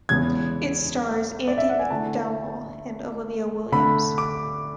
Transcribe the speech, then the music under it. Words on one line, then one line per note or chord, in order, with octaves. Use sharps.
It stars Andie MacDowell and Olivia Williams.
E2 C#3 G#3 B3 G#6
D5
E5
F#5
G#5
D3 A3 E4 A5
D3 A3 D4 B5
D6